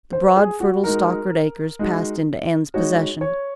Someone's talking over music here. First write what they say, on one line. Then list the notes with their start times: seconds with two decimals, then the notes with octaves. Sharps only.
The broad, fertile Stockard acres passed into Anne's possession.
0.13 C5
0.37 G#4
0.60 F#4
0.84 G#3 D#4 F#4 A#4
1.79 G#3 D#4 F#4
2.74 G#3 D#4 F#4 C#5
3.21 C#5